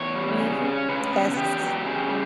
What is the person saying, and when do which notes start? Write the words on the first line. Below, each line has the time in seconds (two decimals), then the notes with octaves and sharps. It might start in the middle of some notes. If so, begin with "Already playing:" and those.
Mhm. Yes.
Already playing: E2 C#5
0.16 G3
0.40 C#3
0.64 C#4
0.89 C#3 B4
1.13 B3
1.37 E2 G4
1.61 F#3
1.85 C#3
2.09 G3